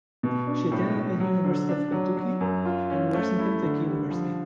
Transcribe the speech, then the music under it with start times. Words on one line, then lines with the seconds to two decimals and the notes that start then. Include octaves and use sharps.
She attended the University of Kentucky and Western Kentucky University.
0.23 B2
0.47 D4
0.72 A2
0.95 A2
1.20 F#3
1.44 D3
1.69 D4
1.92 F#3
2.17 F#3
2.41 F#2
2.65 F4
2.90 C#4
3.14 A3
3.39 E4
3.63 D3
3.86 G3
4.11 F3